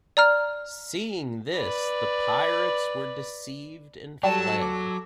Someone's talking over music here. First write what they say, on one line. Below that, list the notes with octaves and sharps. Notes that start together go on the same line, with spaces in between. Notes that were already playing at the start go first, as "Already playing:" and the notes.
Seeing this, the pirates were deceived and fled.
D5 A#5 F6
B4 D5
F#3 G3 A4 A5
D6